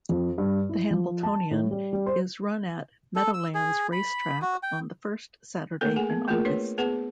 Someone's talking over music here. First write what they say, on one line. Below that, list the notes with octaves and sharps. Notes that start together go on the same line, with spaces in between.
The Hambletonian is run at Meadowlands Racetrack on the first Saturday in August.
F2
G2
E4
F3
A5
A2
G3
G3
C5
A4
E6
G#4
B5
F#4
G5
A3 A#3 A4 A#4
G#4 F#5 G#5
B3
A3 A#3 F4 G#4 A#4
D4 B4 C#5
B3 G#4 B4 F#5